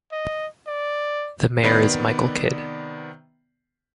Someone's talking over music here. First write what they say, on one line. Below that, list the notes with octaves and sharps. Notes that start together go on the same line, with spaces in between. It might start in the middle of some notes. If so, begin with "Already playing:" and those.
The mayor is Michael Kidd.
D#5
D5
C3 D#3 B3 D5 B5 C7